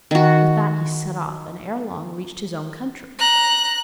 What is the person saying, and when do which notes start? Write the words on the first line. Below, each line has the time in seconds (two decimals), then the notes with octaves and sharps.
With that he set off, and ere long reached his own country.
0.11 D#3 F#4
3.19 A#5 F#6